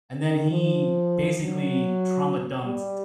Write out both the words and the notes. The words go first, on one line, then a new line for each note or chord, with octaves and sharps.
And then he basically trauma-dumped
D#3
F3
F#3
G3